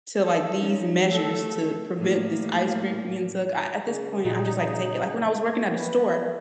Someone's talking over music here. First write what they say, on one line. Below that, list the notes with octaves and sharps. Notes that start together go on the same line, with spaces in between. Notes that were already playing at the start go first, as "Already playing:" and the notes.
to like these measures to prevent this ice cream from being took," a at this point, I'm just like, "Take it," like, when I was working at a store,
A4
C#4 D#4
A3 A4
A2 A#3
C#3 G#4
A#2 D#4
B4